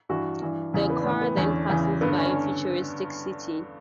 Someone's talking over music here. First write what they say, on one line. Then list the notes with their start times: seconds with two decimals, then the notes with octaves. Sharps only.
The car then passes by a futuristic city.
0.09 G2 E3 F#4
0.42 G2 E3
0.73 E2 C#3 E3 E4
0.90 B3
1.00 D4
1.05 A2 C#4
1.08 E3
1.22 B3
1.37 E2 D3 C#4
1.70 E2 C#3 E3
2.01 G2 D3 B3
2.17 C#4